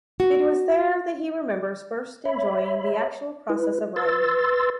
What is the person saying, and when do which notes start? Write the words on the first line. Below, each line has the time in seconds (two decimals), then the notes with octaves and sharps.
It was there that he remembers first enjoying the actual process of writing.
0.20 F#4
2.25 C#5 E5 B5
3.50 E4 B4
3.96 B4 C6 E6 A6